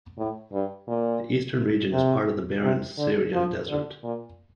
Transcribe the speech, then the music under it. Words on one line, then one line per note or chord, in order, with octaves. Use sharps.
The eastern region is part of the barren Syrian Desert.
A2
G2
A#2
C3
C3
D3
F3
D3
A#2